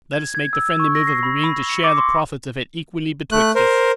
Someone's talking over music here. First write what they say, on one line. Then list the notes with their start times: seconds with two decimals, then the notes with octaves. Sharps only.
Let us make the friendly move of agreeing to share the profits of it equally betwixt us.
0.13 G#6
0.35 G#6
0.53 E6
0.80 C#6
0.95 A#6
1.07 C7
1.23 B5
1.44 B5
1.70 C#7
1.84 D6
1.98 C6
3.32 A3 F#6
3.55 A#4 C5